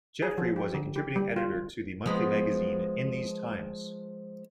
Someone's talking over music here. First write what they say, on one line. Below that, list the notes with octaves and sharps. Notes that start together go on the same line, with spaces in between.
Jeffrey was a contributing editor to the monthly magazine "In These Times".
G#4
F3
G4
D3
G4
G3
F4
F3 G#3 B3